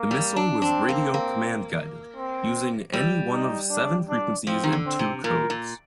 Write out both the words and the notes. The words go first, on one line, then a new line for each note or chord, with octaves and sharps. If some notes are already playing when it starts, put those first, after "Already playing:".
The missile was radio-command guided, using any one of seven frequencies and two codes.
Already playing: A#3
G3
D4
C4 D4
A#3
A#3
C4
G3
D#4
D4
D4
F3 C4
D#3
D3
C4
C3
A#2 A#4
A#2